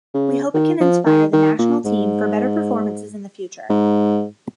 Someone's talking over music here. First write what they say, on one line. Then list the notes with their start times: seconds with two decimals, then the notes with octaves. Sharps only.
We hope it can inspire the national team for better performances in the future.
0.14 C#3
0.54 D#3
0.80 F3
1.06 D#3
1.33 D#3
1.59 A#2
1.85 G#2
3.69 G#2